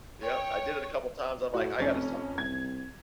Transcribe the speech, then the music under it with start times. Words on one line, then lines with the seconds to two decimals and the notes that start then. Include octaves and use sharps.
Yep. I did it a couple times. I'm like, "I gotta stop with it."
0.22 C#5 G5
1.54 A2 F#4
1.79 F1 F2 C#4
2.38 C2 G#6